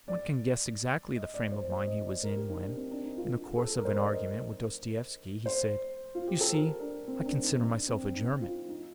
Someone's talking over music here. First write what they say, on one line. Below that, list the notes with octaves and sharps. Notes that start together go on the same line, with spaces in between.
One can guess exactly the frame of mind he was in when, in the course of an argument with Dostoevsky, he said: "You see, I consider myself a German."
D5
D#5
D5
C5
C5
D#5
D5
A#4
G4
D#4
D4
C4
D4
D#4
F4
A4
A#4
C5
D5
D#5
C5
F4
G4
A4
A#4
D4
C4
D4
D#4
D4
C4
D#4
F4
D#4